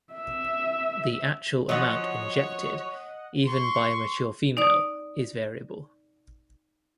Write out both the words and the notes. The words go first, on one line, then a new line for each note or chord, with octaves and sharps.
The actual amount injected, even by a mature female, is variable.
E5
F3 F#3 C#5 D#5 F#5
C6 C#6
D#4 D5 D#6